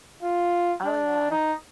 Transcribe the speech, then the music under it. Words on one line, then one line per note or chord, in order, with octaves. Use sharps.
Oh, yeah.
F4
D4
D#4